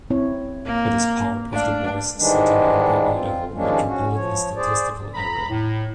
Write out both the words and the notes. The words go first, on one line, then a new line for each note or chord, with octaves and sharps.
It is part of the Boise City-Nampa, Idaho Metropolitan Statistical Area.
C4 E4 C#5
A#3
A3 D4 F5
G#2 D#3 E3 G3 G#3 D4
C4 F4
D#2 F3 G#3 A#3 C#4 D4
C#4 F#4
F3 C#5
G#4 C5 D5
A#5 B5
A2